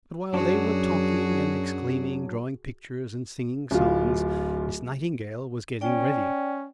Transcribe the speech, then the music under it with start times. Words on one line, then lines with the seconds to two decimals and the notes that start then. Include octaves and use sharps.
But while they were talking and exclaiming, drawing pictures and singing songs, Miss Nightingale was getting ready.
0.34 F#2 F#3 D4 F#4 G#4
3.71 D1 F4
5.81 C#4 D5 G5